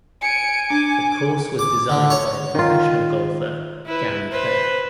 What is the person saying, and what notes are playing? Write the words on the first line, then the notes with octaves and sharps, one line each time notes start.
The course was designed by the professional golfer Gary Player.
G#5 C#7 D7
D4 D6
D6
D3
C#5
D#3 F4
E4 B4
B4 C5